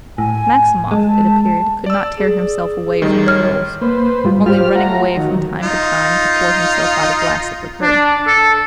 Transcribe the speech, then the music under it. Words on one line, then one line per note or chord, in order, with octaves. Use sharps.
Maximov, it appeared, could not tear himself away from the girls, only running away from time to time to pour himself out a glass of liqueur.
A2 G#5
G#3 A5
D5 E6
G#4
A1 D#3 G3
C#5 F6
A#3 B4 C5
G#2 G3 F4
F4 G4 C5 F6
A3 F4 F#5 A#5
D#3 F#3
D#4 F4
D4
A4